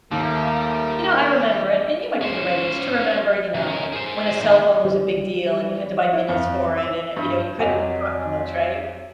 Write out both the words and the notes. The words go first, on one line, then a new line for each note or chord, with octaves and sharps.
you know, I remember and and you might be the right age to remember, you know, when a cellphone was a big deal and you had to buy minutes for it and it you know, you couldn't talk too much, right?
D#2 G3 A3 A#3 A#4
C#4 C5
C#3 F#3
C#4 A#4
G#4 C5
A2 D#3
G3
E4
F2
E6
G2
F2 F#3 G4 D#5 G#5 F7